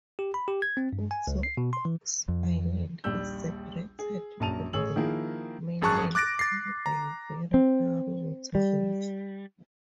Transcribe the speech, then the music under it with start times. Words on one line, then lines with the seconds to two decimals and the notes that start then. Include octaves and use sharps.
Also Ox Island is separated from the mainland only by a very narrow waterway.
0.19 G4
0.34 B5
0.48 G4
0.62 G#6
0.77 C4
0.93 G2
1.11 G#5
1.27 C#2
1.43 C7
1.57 B2
1.73 C6
1.85 E3
2.28 F2
3.04 A#1 D#2 G3 E6 G6
3.99 G#4
4.40 A#1 F#2 A5 D#7 F7
4.73 A1 G#4 C#5 E6 F#7
4.96 D#3 F3 A#3 E4 G#4
5.81 G#1 F#2 G#4 A5 C#6 F#6
6.15 D6 F#6 A6 A#6 D7
6.39 A6 C7
6.86 A#5
7.54 C4
8.55 G3